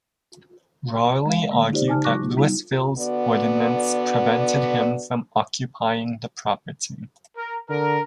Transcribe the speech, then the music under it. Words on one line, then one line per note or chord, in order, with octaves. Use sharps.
Warley argued that Louisville's ordinance prevented him from occupying the property.
G#3 F5
D3 D#3 A#3
D#4 F4 G4 C5 D5
C#3 D#4 G#5 A5 F6
F#3 G#3 C#6 D6 F#6 A#6
G3 B3 D#4 F4
D3 B3 F#4 D5
A#4
D3 A#4